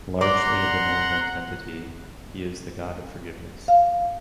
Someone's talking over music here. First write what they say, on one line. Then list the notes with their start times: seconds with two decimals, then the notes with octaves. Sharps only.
Largely a benevolent entity, he is the god of forgiveness.
0.21 D5 F#5 A#5 C6
3.68 F5